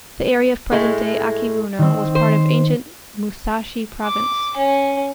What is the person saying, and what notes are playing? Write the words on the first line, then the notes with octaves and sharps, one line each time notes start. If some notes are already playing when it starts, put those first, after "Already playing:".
The area of present-day Akiruno was part of ancient Musashi Province.
A2 G#3 A3
D#3 C4
C5
D6
C#4